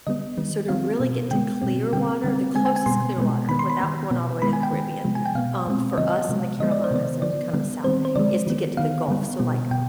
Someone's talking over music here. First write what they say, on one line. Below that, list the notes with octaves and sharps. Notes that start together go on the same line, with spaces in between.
so to really get to clear water the closest clear water without going all the way to the Caribbean, um, for us in the Carolinas and kinda the South, is to get to the Gulf, so, like,
D3 G3 B3 D#5
D#3 G3 B3
D#3 G3 C4 F5
B2 B3
D3 G#3 B3 G5
B2 G3 C4
D3 G3 C4 G5
D3 G3 C4
D3 G#3 C4 G#5
G#5
G#5
B2 G3 B3 C6
B2 G#3 B3
D#3 B3 B5
C6
B5
D#3 B3
B2 B3
D#3 G#3 B3 B5
G#5
G5
D#3 B3
C3 F3 G#3
G#5
G5
B2 B3 F5
B2 G#3 C4
D3 F3 B3 D#5
C3 F3 G#3
D3 F3 G#3 B3 D#5
D5
C5
C3 D#3 B3 D5
D3 F3 B3 D5
D3 G3 B3
D#3 G3 C4 C5
C5
D3 F3 G#3 D5
D#3 B3
D#3 B3 F5
D3 G3 B3
B2 G3 B3
B2 G5